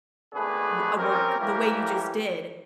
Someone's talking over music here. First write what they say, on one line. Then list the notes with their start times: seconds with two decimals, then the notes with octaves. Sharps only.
w a work the way you just did,
0.33 G#1 A3 B3 D4 G#4 B4
0.98 C4 C#4 G4 A#4
1.38 A2 E3 G3 A#3 G4 A#4